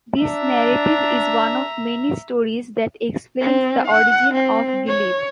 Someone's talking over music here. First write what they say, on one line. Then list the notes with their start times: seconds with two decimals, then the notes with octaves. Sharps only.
This narrative is one of many stories that explains the origin of Gelebe.
0.21 D4 E5 A#5
3.41 C4
3.88 F#5
4.34 C4
4.88 C#5